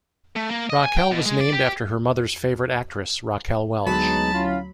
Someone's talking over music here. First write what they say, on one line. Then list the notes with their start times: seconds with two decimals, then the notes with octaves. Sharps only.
Raquel was named after her mother's favorite actress, Raquel Welch.
0.36 A3
0.51 A#3
0.70 D#5
0.84 G#5
0.97 G5
1.12 B2
1.26 G#3
1.41 D5
1.53 G4
3.86 D2 F#3 G#3 B3 D#4 A5 B5
4.33 C#4 E4 F4